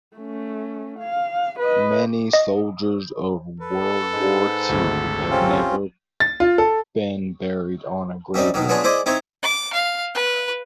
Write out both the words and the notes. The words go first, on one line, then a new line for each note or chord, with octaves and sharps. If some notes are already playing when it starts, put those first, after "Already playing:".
Many soldiers of world war two have never been buried on a grave yard.
A3 C#4
F5
B4 D#5
D#5
A4 B4
G#2
G#1 D2
C3 C4 C#4 F4
A6
F4
A4
F#2 G3 C4 D#4
B2 D#3 F#3
F#3 B3 D4 F4 G#4
E4 G#4 C5 D5 D#5
C4 D#4 E4 C5 C#5
D6
F5
B4